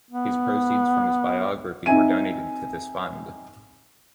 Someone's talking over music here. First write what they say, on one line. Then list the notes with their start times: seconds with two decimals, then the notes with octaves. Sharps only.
His proceeds from his biography were donated to this fund.
0.11 B3
1.86 C4 D#4 E5 G#5 D#7